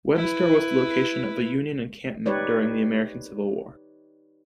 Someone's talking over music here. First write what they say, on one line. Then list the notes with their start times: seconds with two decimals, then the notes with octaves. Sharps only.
Webster was the location of a Union encampment during the American Civil War.
0.15 E4 B4
2.26 D#4 G4 B4 C#5 D5